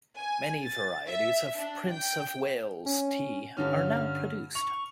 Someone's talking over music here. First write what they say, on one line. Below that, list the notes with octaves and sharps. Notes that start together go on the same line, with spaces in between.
Many varieties of Prince of Wales tea are now produced.
G#5
A6
E5
D4
G5
C#4
G2 D3 C#4 F6
C#6 F7